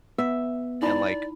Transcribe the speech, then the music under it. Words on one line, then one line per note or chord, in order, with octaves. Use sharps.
and, like,
B3 E5
D#4 E4 D5 B5